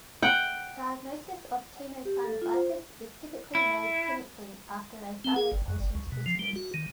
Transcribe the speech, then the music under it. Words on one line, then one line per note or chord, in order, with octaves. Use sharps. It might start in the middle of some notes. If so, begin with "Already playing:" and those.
Diagnosis of tenosynovitis is typically made clinically after a thorough patient history.
F#5 G5
G4
A4
F4
C5
E4
C4
G#4
G1
F#2
G1
C#2
B2
F3
G3
F#4
D#3